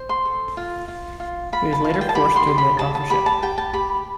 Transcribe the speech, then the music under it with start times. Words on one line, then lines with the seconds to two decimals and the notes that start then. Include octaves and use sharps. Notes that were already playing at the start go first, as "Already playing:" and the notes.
He was later forced to admit authorship.
Already playing: C5
0.09 C6
0.25 A4
0.57 F4
0.88 F4
1.20 F4
1.53 F4 B5
1.73 A5
1.84 F4
1.94 A5
2.01 G5
2.09 A5
2.15 G4 B5
2.36 C6
2.47 G4
2.58 B5
2.78 G4 A5
2.95 A5
3.10 G4 B5
3.26 A5
3.42 G4 G5
3.58 A5
3.73 G4 B5